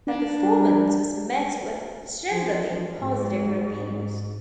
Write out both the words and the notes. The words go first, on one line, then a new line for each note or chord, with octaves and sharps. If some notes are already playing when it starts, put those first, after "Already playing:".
Her performance was met with generally positive reviews.
D4
G3
F3
G#2